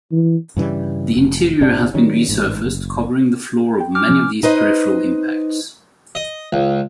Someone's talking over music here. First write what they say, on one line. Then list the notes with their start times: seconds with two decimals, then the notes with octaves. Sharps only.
The interior has been resurfaced, covering the floor of many of these peripheral impacts.
0.12 E3
0.57 G2 C#3 E3 G3
1.17 F1
1.61 G1 C3 G3 D4
1.94 D#3 F#3 G3 C#4
2.29 A1 G#2
2.64 F#1
3.80 G5
3.95 C#4 D6 F6
4.09 C3 F3
4.43 D#4 B4 C5 D#5
6.15 D#5
6.53 C#2